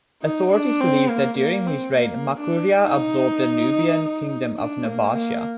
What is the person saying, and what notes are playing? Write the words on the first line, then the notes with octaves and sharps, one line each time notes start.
Authorities believe that during his reign Makuria absorbed the Nubian kingdom of Nobatia.
D#4
D4
C4
A#3
A#3
C4
A#3
D4
D#4
D4
A#3
A#3